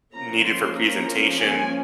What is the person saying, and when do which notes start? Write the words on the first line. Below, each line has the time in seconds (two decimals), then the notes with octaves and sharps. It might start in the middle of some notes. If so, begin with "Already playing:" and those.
needed for presentation,
0.15 F3 A#3 C#4 A#5
0.47 C6
0.78 A#5
1.40 G#5